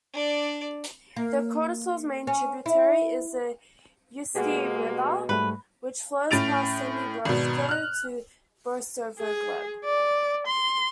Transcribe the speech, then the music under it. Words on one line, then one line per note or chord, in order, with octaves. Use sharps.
The Kotorosl's main tributary is the Ustye River, which flows past Semibratovo to Borisogleb.
D4 D5
A#3
C#4
E4
B2 G#3 A#3 G4 G#4 F#5
G#2 G3 A3 B4
A2 C#4 A6 D7 F7
G#1 B2
F6 F#6
G#4
D5
C6